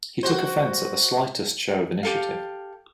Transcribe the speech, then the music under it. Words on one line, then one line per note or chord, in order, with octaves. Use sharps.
He took offence at the slightest show of initiative.
F#4 C5
G4 A4 F5